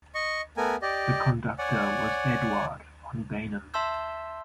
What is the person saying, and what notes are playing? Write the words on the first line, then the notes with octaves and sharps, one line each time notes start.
The conductor was Eduard van Beinum.
D#5 C#6
A3 B3 A#4 G#5
G4 D5 D#5
C#5 D5 F#5 G#5
E5 A5 C6 E6 G6